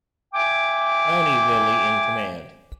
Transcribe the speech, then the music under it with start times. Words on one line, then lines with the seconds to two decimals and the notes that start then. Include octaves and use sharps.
"Tony" Lilly in command.
0.33 E5 G5 G#5 D6